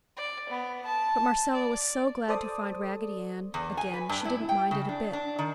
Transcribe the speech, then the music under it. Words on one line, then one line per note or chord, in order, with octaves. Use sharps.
But Marcella was so glad to find Raggedy Ann again she didn't mind it a bit.
D5
B3
A5
D5
A4 C5 D5 D#6
E2
G#5
B4
G2
E4
G5
C#3
D4
D4
D#3